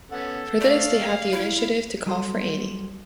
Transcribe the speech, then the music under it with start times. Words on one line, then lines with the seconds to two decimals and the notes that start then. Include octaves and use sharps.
For this, they have the initiative to call for Annie.
0.11 B3 C#4 A4 F#5
0.61 A3 D5 F5
1.33 E4
2.06 F#3 G3 F#4 A4 C6